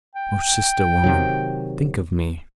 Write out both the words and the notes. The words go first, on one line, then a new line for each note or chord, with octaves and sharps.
O sister-woman, think of me.
G5
C3 D#3 F#3